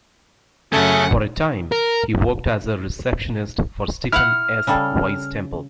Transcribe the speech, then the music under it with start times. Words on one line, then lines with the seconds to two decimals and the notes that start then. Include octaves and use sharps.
For a time, he worked as a receptionist for Stephen S. Wise Temple.
0.73 F#2 C#3 A3 C#4 A4 F#5
1.72 A#4
4.12 E4 F5 F#5 F6
4.67 C#3 G3 A4